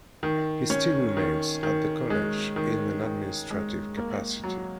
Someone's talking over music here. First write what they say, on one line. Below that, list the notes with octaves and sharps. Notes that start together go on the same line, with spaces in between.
He still remains at the college in an administrative capacity.
D#3
C#4
D#3
D#3
G#3
D#3
D#3
G#3
A#3
F#3